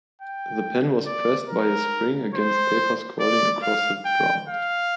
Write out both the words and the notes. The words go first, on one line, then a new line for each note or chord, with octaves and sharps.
The pen was pressed by a spring against paper scrolling across the drum.
G5
D5
A#4
C5
D5
F5
G5
F5